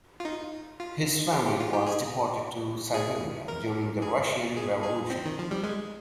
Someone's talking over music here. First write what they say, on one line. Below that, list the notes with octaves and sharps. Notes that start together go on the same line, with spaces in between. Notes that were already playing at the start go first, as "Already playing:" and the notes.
His family was deported to Siberia during the Russian Revolution.
F4
D#4
F4
G4
G4
F4
G4
G#4
G#4
A#4
G#4
G#4
G#4
C4
D#3
F3
G3
G#3